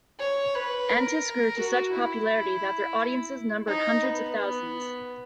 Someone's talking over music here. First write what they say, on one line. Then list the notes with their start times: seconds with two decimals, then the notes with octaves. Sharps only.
Antis grew to such popularity that their audiences numbered hundreds of thousands.
0.20 C#5
0.55 B4
0.90 A#4
1.59 F#4
1.93 E4
3.67 D#4
4.02 B3
4.37 B3